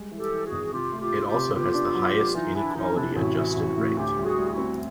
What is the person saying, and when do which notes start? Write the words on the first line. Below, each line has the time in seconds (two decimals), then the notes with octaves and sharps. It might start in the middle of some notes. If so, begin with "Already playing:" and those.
It also has the highest inequality-adjusted ranking.
Already playing: G3 G#3
0.12 E3
0.18 G4 A4
0.32 E3
0.45 F#4 G#4
0.52 G#1
0.73 C3 F4 G4
0.92 A3
0.99 F4 G4
1.13 A3
1.26 F4 G4
1.34 C3
1.54 B3 F4 G4
1.74 D4
1.94 F#3
2.14 F#3
2.34 E3 D#4 F4
2.55 E3 D4 E4
2.75 E3 C#4 D#4
2.95 C3 D4 E4
3.16 A1 E4 F#4
3.36 E3
3.57 A1
3.77 A2
3.97 D2 F4 G4
4.18 G3
4.24 F#4 G#4
4.38 G3
4.51 E4 F#4
4.57 C4